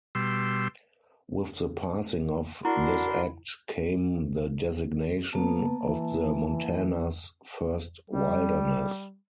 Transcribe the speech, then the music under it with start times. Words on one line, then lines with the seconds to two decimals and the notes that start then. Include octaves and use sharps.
With the passing of this Act came the designation of the Montana's first Wilderness.
0.15 B2 G3 C6 E6
2.65 D4 E4 F#4 A#4 B5 C6
5.33 A#3 B3 A5
5.84 E3
8.10 G3